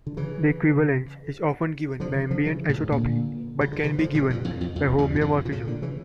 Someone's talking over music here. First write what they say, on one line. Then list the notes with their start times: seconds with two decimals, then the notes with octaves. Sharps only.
The equivalence is often given by ambient isotopy but can be given by homeomorphism.
0.07 D3
0.17 C#3 E3
2.00 D3 F3
2.31 D3 F3
2.46 C#3 E3
2.69 A2 C#3
2.92 A#2 D3
3.61 C#3
3.73 D3
3.84 C#3 E3
3.99 D3 F3
4.14 A#2 D3
4.30 G2 A#2
4.45 F2 A2
4.61 F2
4.76 F2
4.98 E2 G2
5.16 A#2
5.21 F2 A2
5.45 A#2
5.52 A2 C#3
5.67 A#2 D3
5.82 C#3 E3